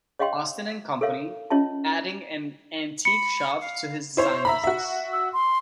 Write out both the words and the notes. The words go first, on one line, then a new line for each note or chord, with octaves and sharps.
Austin and Company, adding an antique shop to his design business.
C#5 D#5 F5 G5 C6
A4 A#4 C#5 E5 F5
C#4 F4 C#5 D#5 E5 A5
B5 C#7
F5
E4 C5 C#5
E5 A#5 B5
F#4 E5
E6
C6